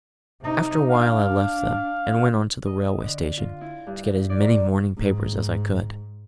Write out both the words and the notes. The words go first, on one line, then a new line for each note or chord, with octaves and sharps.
After a while I left them, and went on to the railway station to get as many morning papers as I could.
C3 D#4
D4 F5
D#5
D3
F4
E4
G2
D5
A#5
G#2